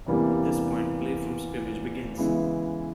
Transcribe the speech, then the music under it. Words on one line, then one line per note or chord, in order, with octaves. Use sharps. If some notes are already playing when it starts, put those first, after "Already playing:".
At this point, play from scrimmage begins.
E2 C3 E3 G3 A#3
C#3 E3 G#3 B3 E4